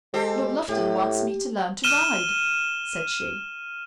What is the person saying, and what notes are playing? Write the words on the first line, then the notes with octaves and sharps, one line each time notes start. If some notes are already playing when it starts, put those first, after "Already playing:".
"Lord Lufton wants me to learn to ride," said she.
G#3 G4 A4 C5
A2 G4
F6 D#7 E7 G7